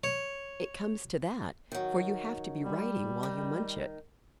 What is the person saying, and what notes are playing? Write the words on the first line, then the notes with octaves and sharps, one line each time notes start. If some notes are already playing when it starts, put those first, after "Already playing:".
"It comes to that, for you have to be writing while you munch it."
C#5
D#3 F#3
G3
D#3